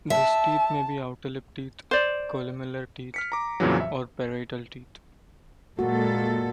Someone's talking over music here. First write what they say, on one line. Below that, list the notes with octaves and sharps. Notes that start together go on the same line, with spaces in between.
These teeth may be outer lip teeth, columellar teeth or parietal teeth.
E5 A5
C5 D5
F6 B6 C#7
A#5 D6
F2 A#2 C#3 E3 F#3
E5
A#2 G#3 A#3 F#4 A4